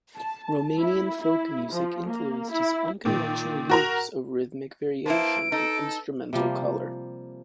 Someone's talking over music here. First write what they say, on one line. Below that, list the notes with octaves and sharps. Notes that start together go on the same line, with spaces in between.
Romanian folk music influenced his unconventional use of rhythmic variation and instrumental colour.
A5
E4
E4
F3
A#3
E4
A#2 D#3
F#4 A#4 A#5
A#3 E4 B4 C5 A5 D7
D#4 A4
C3 F3 G3 A#3